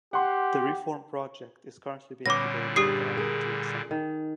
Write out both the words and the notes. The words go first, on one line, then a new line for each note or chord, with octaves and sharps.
The reform project is currently being debated in the Argentine Senate.
G4 F#5 C6
A#2 D3 G3 B3 C#4 D6 A#6
G2 G4 G#4 D#6 C7
G#4 A#4
D#3